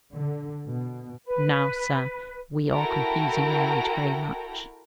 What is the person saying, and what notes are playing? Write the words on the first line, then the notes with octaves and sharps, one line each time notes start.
Now, sir, we are confusing language very much.
D3
B2
B4
E4 F#4 A4 A#4 G5 A#5